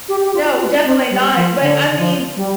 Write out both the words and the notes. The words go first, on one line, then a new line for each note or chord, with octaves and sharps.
No, definitely not, but, I mean,
G4
G4
F4
F4
C4
G3
F3
D3
D3
F3
G3